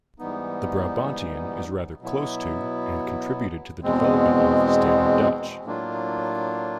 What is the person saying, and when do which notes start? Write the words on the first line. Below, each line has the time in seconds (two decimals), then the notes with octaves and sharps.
The Brabantian is rather close to and contributed to the development of Standard Dutch.
0.19 G#2 E3 G3 B3 D#4
2.00 B2 F#3 B3 E4
3.83 E2 B2 G#3 C4
5.65 A2 F#3 A#3 D4 F4